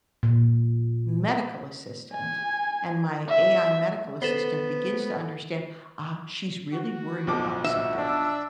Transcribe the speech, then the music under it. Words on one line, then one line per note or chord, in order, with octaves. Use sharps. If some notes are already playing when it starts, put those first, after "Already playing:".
medical assistant and my AI medical assistant begins to understand, "Ah, she's really worried about something.
A#2
G#5
E5
B3 A4 B4 C5
F#4
B1 F3 D6
E5
D4